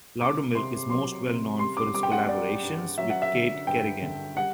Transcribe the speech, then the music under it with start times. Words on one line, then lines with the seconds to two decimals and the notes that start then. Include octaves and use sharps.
Lowdermilk is most well known for his collaborations with Kait Kerrigan.
0.21 C2 D6
0.55 C3 C6
0.90 F#3 C6
1.25 C3
1.59 G3 C6
1.77 D6
1.94 G3 D6
2.03 G5
2.12 F#5
2.29 G3 D5
2.63 G2
2.98 F#3 E5
3.10 F#5
3.22 E5
3.33 D3
3.67 G2 G5
4.02 D3
4.36 G3 F#5